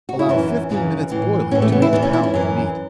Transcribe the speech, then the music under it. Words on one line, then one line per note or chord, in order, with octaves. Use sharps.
Allow fifteen minutes boiling to each pound of meat.
F#4
E4
F#2 E3 C#4
F#2 C#3 E3
A2 E3
A2 E3 C#4
A3
B3
E4
E2 E3 B3
C#4
E4
C#4
F#2 E3